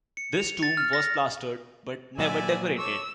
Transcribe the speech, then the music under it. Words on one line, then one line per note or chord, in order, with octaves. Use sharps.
This tomb was plastered, but never decorated.
C#7
F7
A6
F6
A#6
A#2 F#3 B3 D5 E5 G#5
A4 C#5 D6 E6